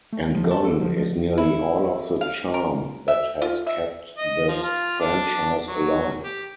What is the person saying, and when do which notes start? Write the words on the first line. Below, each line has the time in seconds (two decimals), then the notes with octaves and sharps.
And gone is nearly all of the charm that has kept this franchise alive.
0.13 A3
0.35 F3
0.51 A5
0.65 A4
0.81 F3
0.96 F3
1.38 E4
2.21 F5
2.54 A#4
3.08 E5
3.42 F4
3.67 E5
4.18 D#5
4.48 F3
4.63 F4
5.00 D4
5.67 F#3
6.23 G4